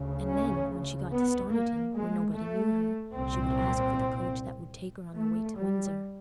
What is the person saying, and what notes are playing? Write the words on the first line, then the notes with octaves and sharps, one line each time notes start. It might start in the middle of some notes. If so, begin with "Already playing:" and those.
And then, when she got to Stoniton, where nobody knew her, she would ask for the coach that would take her on the way to Windsor.
Already playing: D2 C#3
C#4
B3
A#3
G#3
A3
C2 A#2 C4
A3
G3